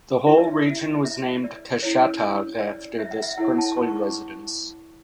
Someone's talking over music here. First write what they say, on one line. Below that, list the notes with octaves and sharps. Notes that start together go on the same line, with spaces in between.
The whole region was named Kashatagh after this princely residence.
C#4 E4 G4 C#5 E5
D5
E5
E5
E5
D5
C#4 E4 A4 C#5
D5
E5
F#5
E5
E4 A4 C#5 F#5
A5
C#6
C#6
D6